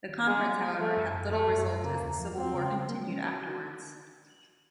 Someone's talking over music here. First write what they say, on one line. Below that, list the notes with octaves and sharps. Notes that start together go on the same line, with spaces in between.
The conference, however, had little result as the civil war continued afterwards.
D#3
G3 G#3
G3
G3
F3 A3
F#2
F#2
F3 A3
F#2
F#2
C#3 A#3
E2
F3
G#3 C4
C#3
G#3
A#3
C#4
F#4
F#4